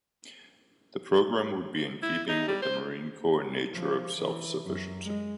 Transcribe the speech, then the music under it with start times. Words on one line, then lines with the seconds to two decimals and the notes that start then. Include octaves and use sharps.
The program would be in keeping with the Marine Corps nature of self-sufficiency.
2.03 E4
2.29 D#4
2.48 G3
2.62 C5
3.72 F3
4.20 E3
4.65 F#2
5.05 G#3